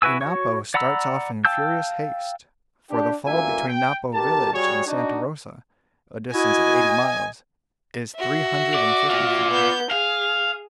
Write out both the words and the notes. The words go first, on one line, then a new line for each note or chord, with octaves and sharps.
The Napo starts off in furious haste, for the fall between Napo village and Santa Rosa, a distance of eighty miles, is three hundred and fifty feet.
E4 F#4 B4 G#5 E6
F#4 C#5
D5 F#5 A#5 B5 E6
F5 G5 A5 E6 G6
D4 G4
A1 F#2 A#2 A#3 E5 G#5
G5
B1 G4 A#4 A5
G3 F#4 G#4 C#5
D4 D#4 F#4
E4 F#4 D#5 G#5
F#4 E5
D5
F4 D5
B3 G6
G#4 F5